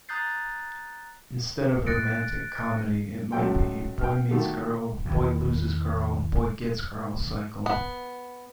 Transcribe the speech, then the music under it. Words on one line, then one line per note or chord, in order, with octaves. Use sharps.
Instead of "romantic comedy" it might be "Boy-meets-girl-boy-loses-girl-boy-gets-girl" cycle.
A#5 D#6 F#6 G6 A6 C7
F#6 A6 A#6 C#7 D7
C#2 F#3 A3 F#4 G5
G5 F6
B2 D3 D#3 A3 G4 A4
E2 D#3 E3
B3